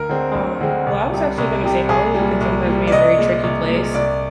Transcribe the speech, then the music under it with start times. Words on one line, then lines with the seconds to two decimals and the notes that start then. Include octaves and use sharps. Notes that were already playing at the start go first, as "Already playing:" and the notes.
Um, well, I was actually gonna say Hollywood can sometimes be a very tricky place,
Already playing: D2 A#4
0.09 D3 G#3 C4
0.35 D2
0.61 D3 G#3 C4
0.86 C2
1.12 C3 G3
1.38 C2
1.64 C3 G3
1.89 C2 G#4
2.14 A#2 G3
2.41 C2
2.66 A#2 G3
2.87 D5
2.92 C2 D#5
3.18 A#2 G#3
3.43 C2
3.69 A#2 G#3
3.94 C2 D5